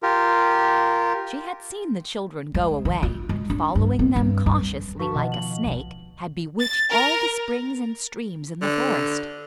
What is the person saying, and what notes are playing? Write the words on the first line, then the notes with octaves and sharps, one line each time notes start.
She had seen the children go away, and, following them cautiously like a snake, had bewitched all the springs and streams in the forest.
F4 G4 A#4
G#3
D#3
F4
G#3
D4
G2
C4
G2
G2
F3 F#4 B4 A5 C#6
B2 D#3 D#5 F#5
F#7
E1 B1
A6
A#4
D3